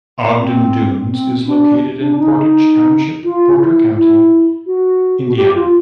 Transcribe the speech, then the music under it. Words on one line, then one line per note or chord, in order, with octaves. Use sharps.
Ogden Dunes is located in Portage Township, Porter County, Indiana.
C4
C4
D4
D4
D#4
D#4
F4
F4
E4
E4
F#4
F#4
G4
F4